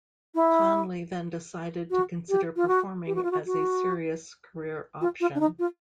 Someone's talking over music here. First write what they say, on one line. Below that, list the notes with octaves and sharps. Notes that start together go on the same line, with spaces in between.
Conley then decided to consider performing as a serious career option.
E4
F#4
G4
F4
F#4
G4
F#4
F4
F#4
F#4
F4
F4
D4
D#4
F4